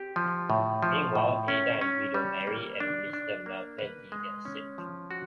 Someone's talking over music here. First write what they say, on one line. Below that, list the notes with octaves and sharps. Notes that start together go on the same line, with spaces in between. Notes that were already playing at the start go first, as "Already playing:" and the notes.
Meanwhile, Ada and Guido marry and Mr. Malfenti gets sick.
Already playing: C4 G4
F3
A2
F3
A2
C#4
C#4
G3
A#3
D4
D4
A#3
B4
G#3
C#4
F3
F#4